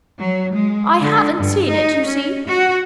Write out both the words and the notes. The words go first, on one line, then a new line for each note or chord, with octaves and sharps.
"I haven't seen it, you see."
F#3
G#3
D3
G2
D#4
C#4
F#4